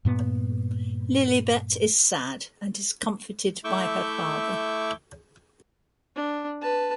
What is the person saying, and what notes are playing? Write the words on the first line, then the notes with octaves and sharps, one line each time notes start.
Lilibet is sad and is comforted by her father.
G2 A#2 B3
A3 E4 C#6 D6 E6 G6
D4
B4 A5